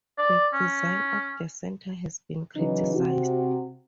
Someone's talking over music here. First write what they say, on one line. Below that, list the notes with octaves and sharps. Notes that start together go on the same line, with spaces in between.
The design of the center has been criticized.
D5
C#4
C#3 E3 F#3 D#4
C3 F#4